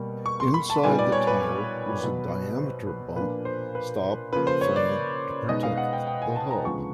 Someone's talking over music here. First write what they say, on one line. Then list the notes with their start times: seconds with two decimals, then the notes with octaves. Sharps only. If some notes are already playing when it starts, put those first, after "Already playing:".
Inside the tire was a diameter bump stop frame to protect the hub.
Already playing: B2 G3 A#3
0.26 C#6
0.40 C6
0.54 B5
0.70 A5
0.83 A#2 G3 B3 D#4 G#5
0.99 D5
1.12 C#5
1.27 B4
2.00 B2 F#3 B3
2.58 C5
2.87 B4
3.16 A#2 F3 A#3 D4 B4
3.45 C5
3.75 B4
4.32 C#3 F3 A#3 B4
4.47 C5
4.61 C#5
4.76 D5
5.49 B2 G#3 B3 D#4 D#5
5.63 F5
5.77 F#5
5.93 G5
6.07 G5
6.22 G#5
6.36 A5
6.51 A#5
6.65 D2 C#3 F3 G#3 B3 C#6